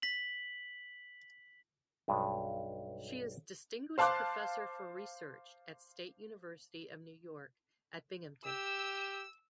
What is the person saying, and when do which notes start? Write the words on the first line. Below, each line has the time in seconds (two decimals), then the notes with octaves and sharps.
She is Distinguished Professor for Research at State University of New York at Binghamton.
0.02 B6 F#7
2.08 B1 G2 G#3
3.98 C5 F5 A5 C6 D6 F#6
8.46 G4 E6